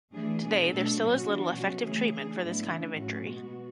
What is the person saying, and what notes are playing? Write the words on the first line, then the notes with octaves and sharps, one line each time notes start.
Today, there still is little effective treatment for this kind of injury.
E3 A3 D4 G#4
B2 G#3 D4 G#4
B2 A3 D4 A4
B2 F#3 C#4 F#4
E3 B3 D4
B2 F#3 C#4
C#3 E3 A3 C#4 G#4
E3 A3 D4 G#4
A2 F#3 B3 D4 E4
C#3 E3 A3 D4
A2 F#3 C#4 F#4
B2 G#3 B3